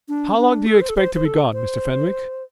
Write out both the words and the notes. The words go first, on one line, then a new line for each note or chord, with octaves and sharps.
"How long do you expect to be gone, Mr. Fenwick?"
D4
C4
D4
A4
C5
A4
C5
C5
A4
C5